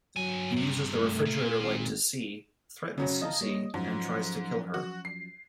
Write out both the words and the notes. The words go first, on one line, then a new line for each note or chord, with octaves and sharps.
He uses the refrigerator light to see, threatens Susy, and tries to kill her.
G2 F#3 G#5
G2 C3
A3
A#2 F4
G#1
C#3 F#3 C#4
D#5 F5 A5 A#5
G3 A#3 C#5
G#2 F3 F#3 C#4
F#4
C7